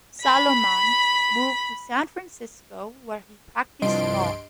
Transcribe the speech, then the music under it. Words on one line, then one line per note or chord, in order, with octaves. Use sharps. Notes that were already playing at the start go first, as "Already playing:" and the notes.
Salomon moved to San Francisco, where he practiced law.
B5 B6
C2 G2 F3 D#5 C6 D7